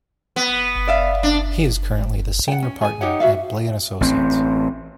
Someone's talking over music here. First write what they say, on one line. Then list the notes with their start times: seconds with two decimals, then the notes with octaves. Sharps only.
He is currently the Senior Partner at Blay and Associates.
0.36 B3
0.87 D5 E5 F5
1.23 D4
2.48 F#5 G5
2.62 C#4
2.81 G#4 G#5
3.01 D#4 G4 C#5 F#5
3.20 F#4 E5 F5
4.01 A1 C4